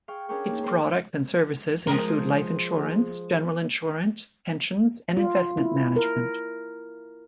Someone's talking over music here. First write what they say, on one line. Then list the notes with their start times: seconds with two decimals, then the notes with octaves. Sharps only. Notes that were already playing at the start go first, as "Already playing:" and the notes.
Its products and services include life insurance, general insurance, pensions and investment management.
0.08 G#4 F5 G5 C#6
0.29 C#4 D4 G#4 A#4 C#5 G5
0.48 A#3 D#4
0.63 A#4 C5 F5 G5 C6
1.87 F3 G#3 A#4
5.17 F4
5.57 E4
5.96 A#4